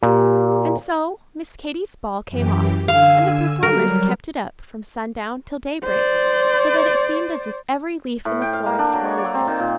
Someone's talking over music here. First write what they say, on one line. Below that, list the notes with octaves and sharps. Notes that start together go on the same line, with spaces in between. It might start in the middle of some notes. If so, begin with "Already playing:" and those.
And so Miss Katy's ball came off, and the performers kept it up from sundown till daybreak, so that it seemed as if every leaf in the forest were alive.
A#2 G4
F#2 E3 G4
D3 F5 G#5 E6
F#3 G3 A#4
C5 D5
A2
G5
F5
A#3
D4
F#3
C#5
D5
C4
D#3
A#2